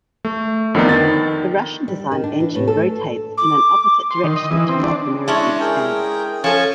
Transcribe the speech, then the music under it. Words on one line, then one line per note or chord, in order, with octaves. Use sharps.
The Russian-designed engine rotates in an opposite direction to North American standards.
A3
F2 D3 D#3 B3 D#4
D#3 A6
G3
D#3
D4
E3
A2
A4
D6
C6
D#3
D#5
E3
C4
D4
G#3 C#4 D4 E4 A5
G#4 A#4 G5
F3 C#4 A4 G#5 C#6